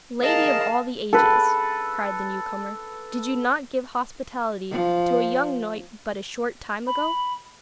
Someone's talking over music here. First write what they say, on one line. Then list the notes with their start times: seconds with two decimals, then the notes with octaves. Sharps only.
'Lady of all the ages,' cried the new comer, 'did you not give hospitality to a young knight but a short time ago?'
0.22 G#4 A#4 D#5 F5 A5
1.13 A4 B4
4.71 F3
6.87 B5